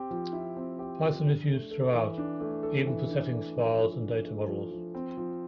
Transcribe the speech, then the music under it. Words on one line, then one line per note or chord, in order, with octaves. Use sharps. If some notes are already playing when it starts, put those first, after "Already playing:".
Python is used throughout, even for settings files and data models.
Already playing: C4 G4
F3
E4
C4
G4
F3
D4
A3
A4
E3
D4
A3
A4
E3
D4
A3
F3
F3
D4
A3
F3
F3
C4
F3